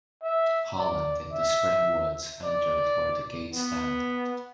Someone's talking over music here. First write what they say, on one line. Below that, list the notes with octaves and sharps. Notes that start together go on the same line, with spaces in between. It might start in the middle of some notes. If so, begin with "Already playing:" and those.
Holland in the Spring Woods, entered where the gates stand.
E5
D5
E5
D5
B3